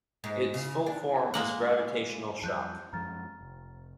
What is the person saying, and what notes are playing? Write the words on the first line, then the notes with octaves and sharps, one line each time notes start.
Its full form is Gravitational Shock.
G#2
C#3
D4
G#3 A#3 F#5
F2 F3 G3 A5 F#6 G6
F#2 F3 G#3 A#5 F6 A6
F1